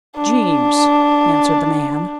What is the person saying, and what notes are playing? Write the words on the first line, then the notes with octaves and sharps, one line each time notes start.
"Geemes," answered the man.
D4